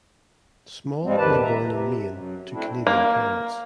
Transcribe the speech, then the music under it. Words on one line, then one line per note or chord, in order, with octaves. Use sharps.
Small was born in Maine to Canadian parents.
G#2 F3 G3 G#3 C4
E2 C3 D#3 G4 B4 A5
E5 A#5
C3
F#2
A3 C4 D4 E4
A#3